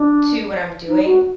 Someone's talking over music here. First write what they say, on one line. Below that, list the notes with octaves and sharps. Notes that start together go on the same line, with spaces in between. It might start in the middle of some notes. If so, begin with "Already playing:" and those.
to what I'm doing,
Already playing: D4
D#4
F#4